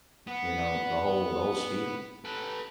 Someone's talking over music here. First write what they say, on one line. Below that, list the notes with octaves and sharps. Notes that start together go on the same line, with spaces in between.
you know, the whole the whole spiel.
B3
A4 B4